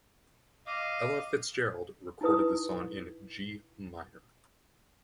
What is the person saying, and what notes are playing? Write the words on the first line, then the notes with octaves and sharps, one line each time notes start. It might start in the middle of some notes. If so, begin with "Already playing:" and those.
Ella Fitzgerald recorded the song in G Minor.
D#5 F5 D6
D#4 E4 B4 D#6